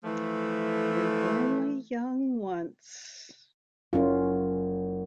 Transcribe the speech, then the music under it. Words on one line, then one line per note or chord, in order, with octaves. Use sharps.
You're Only Young Once...
E3 F3 A3
F#1 C#4 F4